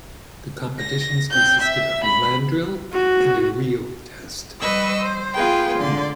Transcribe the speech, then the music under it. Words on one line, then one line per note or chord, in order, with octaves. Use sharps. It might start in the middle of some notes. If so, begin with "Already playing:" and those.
The competitions consisted of a land drill and 'reel test'.
A#6
C4 G6
E5
B5
F#4
G3 B4 D#5 C#6 E6
C5
B3 F4 G#4 B4 G5
D3 D5 C6